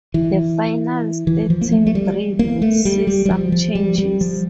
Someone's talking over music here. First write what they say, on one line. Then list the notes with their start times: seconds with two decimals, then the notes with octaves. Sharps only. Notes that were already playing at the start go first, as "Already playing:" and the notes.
The final starting grid would see some changes.
0.14 E3
1.27 E3
1.50 F3
1.61 A#3
1.72 A3
1.86 A3
1.95 G3
2.39 A#3
2.62 A3
2.85 G3
3.07 G3
3.25 G3
3.31 F3
3.52 F3
3.75 G3
3.98 G3
4.21 F3